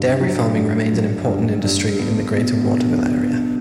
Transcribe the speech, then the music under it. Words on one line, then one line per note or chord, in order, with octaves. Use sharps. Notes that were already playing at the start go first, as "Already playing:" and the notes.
Dairy farming remains an important industry in the greater Waterville area.
Already playing: G2 D3
F#3
G2
F#3
G2
G2
B3
B2
B2
B2
B2